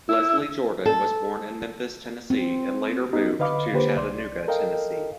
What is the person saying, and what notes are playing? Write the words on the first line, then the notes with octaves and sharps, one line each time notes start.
Leslie Jordan was born in Memphis, Tennessee and later moved to Chattanooga, Tennessee.
E4
A4
C4
B3 D#4 G4
D3 B4 D#5 F5 B5 D6
D3 A#3 G4 B4 C5
C2 D5 C6
A4 A#4 D#5 F5 G5